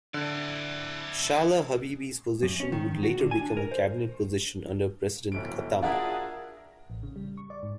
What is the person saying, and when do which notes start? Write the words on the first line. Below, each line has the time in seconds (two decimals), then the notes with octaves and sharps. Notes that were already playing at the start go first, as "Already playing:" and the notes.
Shahla Habibi's position would later become a cabinet position under President Khatami.
0.14 D3 E4 D5
2.43 F#2
2.60 C#4
2.72 D#3
2.91 E2
3.03 F#4
3.20 D3
3.31 G#5
3.42 D4
3.57 A#4
3.72 C5
5.32 D1 G1 D7
5.83 D4 F4 F#4 G#4 A#4 E5 F#5
6.90 A1
7.03 C#3
7.16 G3
7.37 C#6
7.50 D5
7.63 G#2